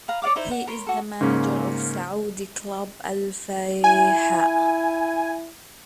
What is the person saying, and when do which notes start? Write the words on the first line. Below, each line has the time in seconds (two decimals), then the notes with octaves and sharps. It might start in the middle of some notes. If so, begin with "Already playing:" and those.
He is the manager of Saudi club Al-Fayha.
0.08 B4 F5 A#5
0.22 C#5 D5 F5 D6
0.36 D#4 E4 B4 C5
0.51 F#5
0.67 A#4 C#5 B5 C6
0.87 F#4 A4
1.21 G#2 C#3 A#3 C#4
3.84 E4 G#5